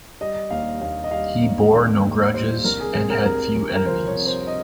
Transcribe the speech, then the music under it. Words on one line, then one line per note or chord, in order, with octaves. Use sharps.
He bore no grudges and had few enemies.
G3 D#5
D#2 F5
D#2 F5
D#5
G3 F5
D#2
D#3
D#2
G3 C5
C2 A#4
G#4
C3 G#4
A#4
C2 A#4
C2
A#4
F3 C5
C#5
C3
C5
D#5